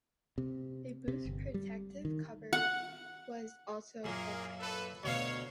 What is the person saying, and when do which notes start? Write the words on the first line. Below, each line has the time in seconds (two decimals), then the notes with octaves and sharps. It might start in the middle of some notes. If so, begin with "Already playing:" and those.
A boost protective cover was also provided.
0.38 C3
1.08 C3
1.25 G1
1.54 G3
2.05 D#3
2.53 F#5
4.04 F#2 A#2 A#3 G#4
4.60 A4 B4
5.03 D2 B2 C#5 F5